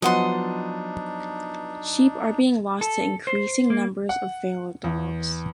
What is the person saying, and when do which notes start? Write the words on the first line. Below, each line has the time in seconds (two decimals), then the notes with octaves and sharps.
Sheep are being lost to increasing numbers of feral dogs.
0.02 F3 F#3 B3 D4 D#4 D#5 F#5 C6
2.81 A4
3.27 C5
3.70 A#3
4.09 F#5
4.84 E2